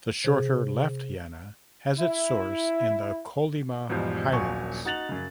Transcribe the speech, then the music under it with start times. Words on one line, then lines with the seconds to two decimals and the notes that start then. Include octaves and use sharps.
The shorter Left Yana has its source in the Kolyma Highlands.
0.24 C3 G#4
1.98 E4
3.89 E2 G#2 B2 F3 G3
4.32 D#1 A#1 F#3 F4 G#5 C#6
4.85 D#4 F#4 F#6 A6 F7 F#7
5.09 F#2 C#3